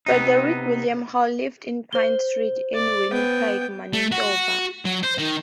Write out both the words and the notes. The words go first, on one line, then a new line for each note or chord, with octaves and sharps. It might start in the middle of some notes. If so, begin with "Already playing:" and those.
Frederick William Hall lived on Pine Street, in Winnipeg, Manitoba.
C3 B3 D#4
C5 G7
D5
B3 G5
A3
F#4
F#3
C5
D#3